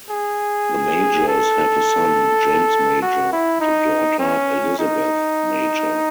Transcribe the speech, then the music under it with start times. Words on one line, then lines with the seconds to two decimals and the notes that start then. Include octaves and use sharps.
The Majors have a son, James Major, and a daughter, Elizabeth Major.
0.10 G#4
1.28 A4
3.02 F#4
3.33 E4
3.61 D#4
4.20 C#4
4.79 D#4